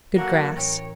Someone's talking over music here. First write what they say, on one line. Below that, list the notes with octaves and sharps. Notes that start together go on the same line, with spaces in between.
Good grass.
F#3 A#3 F#4 A4 A#4 F#5
A1 C#5 G5